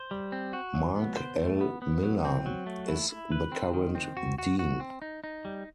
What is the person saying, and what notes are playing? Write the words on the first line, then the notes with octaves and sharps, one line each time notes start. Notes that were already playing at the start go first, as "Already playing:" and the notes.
Marc L. Miller is the current Dean.
Already playing: C5
G3
C4
F#4
F#3
B3
C5
A3
B3
B3
F#3
C4
F#3
A3
E4
E4
B4
C4
D#3
C4
F#4
F#4
F#4
C4
D#4
D#4
G3